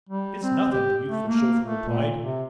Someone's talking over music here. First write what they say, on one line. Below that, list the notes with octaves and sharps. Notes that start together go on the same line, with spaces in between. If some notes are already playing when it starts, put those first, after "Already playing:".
"It's nothing," the youthful chauffeur replied.
G3
C4
G4
A3
A#3
A3
A#2
C3